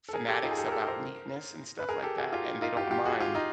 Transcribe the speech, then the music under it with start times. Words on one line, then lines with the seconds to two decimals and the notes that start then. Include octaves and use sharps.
fanatics about neatness and stuff like that, and they don't mind,
0.09 A4
0.13 G#4 A#4
0.28 G4 A4
0.43 D#4 F4
0.51 G#4
0.58 G4 A4
0.67 A#4
0.72 G4 A4
0.87 A#4 C5
1.79 B4
1.89 G#4 A#4
2.03 G4 A4
2.18 F#4 G#4
2.32 F4 G4
2.62 D#4 F4
2.77 F4 G4
2.83 F#4
2.91 F4 G4
3.05 F#4 G#4
3.20 F4 G4
3.35 D#4 F4